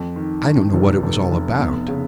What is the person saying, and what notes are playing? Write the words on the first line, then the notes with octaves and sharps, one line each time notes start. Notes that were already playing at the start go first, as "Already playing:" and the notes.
I don't know what it was all about.
Already playing: F2
D#3
D#3
F1
F1
F1
B3
C#3